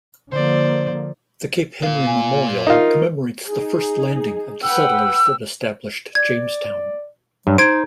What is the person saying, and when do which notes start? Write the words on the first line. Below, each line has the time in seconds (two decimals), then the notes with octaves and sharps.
The Cape Henry Memorial commemorates The First Landing of the settlers that established Jamestown.
0.31 D3 F3 A#3 C5 D5
1.83 A#2 F5
2.06 G#5
2.67 D#4 F4 A#4
3.48 D#4 G#4
4.63 B4 F#5 G5 E6
6.15 D5 G#6
7.47 G2 F#3
7.58 D#4 C5 G#6 D7